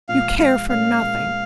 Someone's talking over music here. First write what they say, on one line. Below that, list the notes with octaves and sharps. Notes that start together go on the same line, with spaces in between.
You care for nothing.
A#2 F3 G#3 F5
A#2 F3 G#3 F5
A#2 G#3 C#4 A#4 F5
A#2 G#3 C#4 A#4